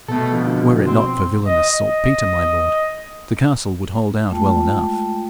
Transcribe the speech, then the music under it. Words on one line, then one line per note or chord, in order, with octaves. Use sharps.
'Were it not for villanous saltpetre, my lord, the castle would hold out well enough.'
B2 A3 A4
D3 F3
C4
D#5
D#5
G#3 A3 F4 G5 A5